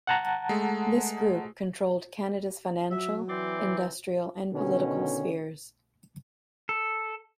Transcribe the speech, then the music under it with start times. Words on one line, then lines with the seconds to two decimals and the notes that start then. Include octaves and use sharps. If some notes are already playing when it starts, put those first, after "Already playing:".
This group controlled Canada's financial, industrial and political spheres.
0.07 F#5 A5 A#5
0.49 G#3 A3
2.91 F#3 E5
3.28 E3 C4 D5 C6 D6
4.52 B2 D3 D#3 C#4
6.69 A4